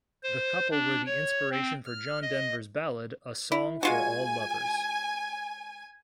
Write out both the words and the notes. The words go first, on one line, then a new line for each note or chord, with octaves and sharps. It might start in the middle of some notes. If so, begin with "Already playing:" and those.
The couple were the inspiration for John Denver's ballad A Song For All Lovers.
C5
D4
C#5
C4
F6
D#5
E4
G#3 F4 F#4 G#5